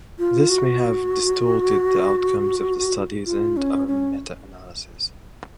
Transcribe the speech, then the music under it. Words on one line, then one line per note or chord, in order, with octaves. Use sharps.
This may have distorted the outcomes of the studies and our meta-analysis.
F4
F#4
F4
C#4
C#4